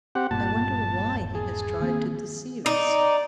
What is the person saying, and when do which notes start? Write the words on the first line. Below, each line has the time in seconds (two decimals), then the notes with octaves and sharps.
"I wonder why he has tried to deceive us."
0.15 C4 G4 F#5
0.31 G1 G2 A#2 A5
1.13 D#1 G2
1.35 G#4
1.80 D#3 A#3 C4
2.66 D#4 D5